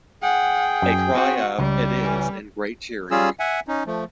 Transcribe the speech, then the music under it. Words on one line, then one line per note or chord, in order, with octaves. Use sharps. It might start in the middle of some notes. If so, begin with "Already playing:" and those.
A cry of “It is,” and great cheering.
G#4 F#5 G5
F#2
C4 F#4
C#2 G3
E3 C#4
G3 C#4 F4 G#4 E6
E5 F#5 G#5
C#4 D#4
F3 A3